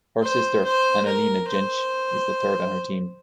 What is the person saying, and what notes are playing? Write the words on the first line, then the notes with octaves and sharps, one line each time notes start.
Her sister, Analena Jentsch is the third on her team.
C5
C5
A#4
C5